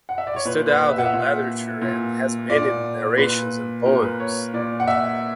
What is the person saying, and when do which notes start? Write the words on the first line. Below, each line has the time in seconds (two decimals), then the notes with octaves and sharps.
He stood out in literature and has many narrations and poems.
0.09 F#5
0.18 E5
0.27 D5
0.36 C#5
0.45 A#2 B4
0.68 B4
0.91 E5
0.98 F#5
1.06 E5
1.13 A#2
1.82 A#2
2.50 A#2 D5
3.17 A#2 B4
3.85 A#2 A#4
4.02 B4
4.20 C#5
4.54 A#2 D5
4.80 F#5
4.88 E5